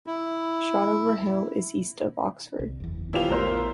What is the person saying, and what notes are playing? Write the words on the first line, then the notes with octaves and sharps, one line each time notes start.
Shotover Hill is east of Oxford.
E4
C2
F#1 E2
D#1 A#3 B3 E4 F4 G4 F7
A#1 A3 B3 A#4 C5